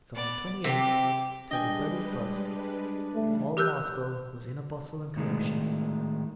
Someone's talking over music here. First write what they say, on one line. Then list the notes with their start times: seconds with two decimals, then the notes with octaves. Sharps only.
From the twenty-eighth till the thirty-first all Moscow was in a bustle and commotion.
0.14 B3 D5
0.64 C3 G4
1.51 G3 G#3 D4 B4 D#5 G5 G#5
3.15 C#3 E3 G3 A3
3.57 G4 A#4 E6 F#6 G6
5.16 A2 D#3 G#3 A3